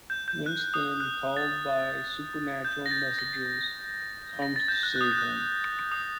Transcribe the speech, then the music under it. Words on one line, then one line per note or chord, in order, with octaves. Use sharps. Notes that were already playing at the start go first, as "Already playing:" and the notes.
Winston, called by supernatural messages, comes to save him.
G6
G6
F#6
D#6
F#6
A6
G6
A#6
A6
A#6
A#6
A6
G6
F#6
F#6
D#6
G6
F#6
D#6